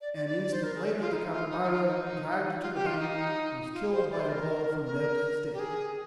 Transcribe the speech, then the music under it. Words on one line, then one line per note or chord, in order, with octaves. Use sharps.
An instant later the capybara, dragged to the bank, was killed by a blow from Neb's stick.
D5
D5
D5
D5
C5
A#4
G#4
F4
D#4
F4
D#4
D#4
F4
D#4
F4
G4
F4
D#4
F4
C5
D5
C5
A#4
A#4
G4
G#4